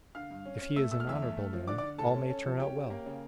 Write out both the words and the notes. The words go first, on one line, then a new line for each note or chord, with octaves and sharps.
If he is an honourable man, all may turn out well.
D3 F5 F6
G2
C#4
C#4
A3 E5 E6
A3 E6
F6
E2 E5 E6
A3
A3
F3
D3 D5 D6
D5 D6
D3
A2 A4 A5
C#4
C#4
F3
C#4 G4 G5
C#4
A#3
C#3